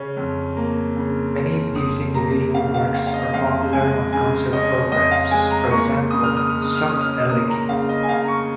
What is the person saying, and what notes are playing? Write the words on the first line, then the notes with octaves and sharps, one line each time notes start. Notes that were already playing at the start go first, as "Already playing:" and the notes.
Many of these individual works are popular on concert programs, for example Suk's Elegie.
Already playing: C#3 C#4
F2
A#3
C#3
C#4
F2 D#6
A#3 A#5
C#3 F5
F5
C#4 F5
F5
D#5
F2 F5
G#3 G#5
C#3 G#5
C#4 D#5
F2 D#5
F5
G#3 G#5
A#5
A#3 C#6
C#3 D#6
F6
D#6
C#3 F6
D#6
F6
C#4 D#6
F6
D#6
A#3 D#6
A#5
C#3 F5
D#5
G#5
C#3 F5
A#5
C#6